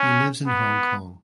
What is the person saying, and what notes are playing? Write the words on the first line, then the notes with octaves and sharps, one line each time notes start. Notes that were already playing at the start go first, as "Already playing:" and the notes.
He lives in Hong Kong.
Already playing: C#4
B3